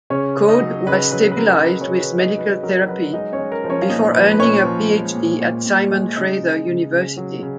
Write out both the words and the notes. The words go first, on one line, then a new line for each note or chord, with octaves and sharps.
Code was stabilized with medical therapy before earning her PhD at Simon Fraser University.
C#3 C#4 C#5
C#3
D#4 D#5
F#3
C#3 B4
F#3 B4
B4
F#3 A#4
C#3 B4
C#4 C#5
C#3
B4
F#3
D#4 D#5
F#3 B4
F#3 A#4
F#3 B4
G#3 D#4 D#5
C#4 C#5
G#3
A#4
F3
C#4 C#5
F5
A#2 D#4 D#5
F3 B4
B4
A#2 C#4 C#5
F3
G#3
A#2
A#2
A#2
G#3
C#3 D#4 D#5
C#3
C#3
C#3
F#3
C#3